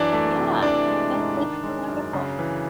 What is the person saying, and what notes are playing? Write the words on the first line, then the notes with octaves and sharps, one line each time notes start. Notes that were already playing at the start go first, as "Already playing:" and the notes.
Yeah, that that's so wonderful.
Already playing: F#2 E3 D4 D5
A3
C3
E3 D4 D5
G#3
G#2
D#3
G#3
F#2
C#3
E3